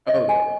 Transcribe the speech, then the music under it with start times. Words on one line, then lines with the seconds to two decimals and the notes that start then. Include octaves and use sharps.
Oh, there
0.08 D#5
0.29 G#5